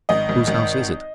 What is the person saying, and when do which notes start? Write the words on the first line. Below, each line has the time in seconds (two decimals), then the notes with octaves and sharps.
"Whose house is it?"
0.09 G#1 D#5
0.29 G#1
0.47 G#1